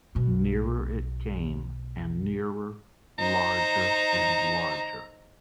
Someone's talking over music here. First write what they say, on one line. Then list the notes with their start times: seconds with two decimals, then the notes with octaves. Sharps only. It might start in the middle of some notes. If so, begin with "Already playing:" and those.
Nearer it came and nearer, larger and larger.
0.15 B1 B2
3.19 D#4 C5 A#5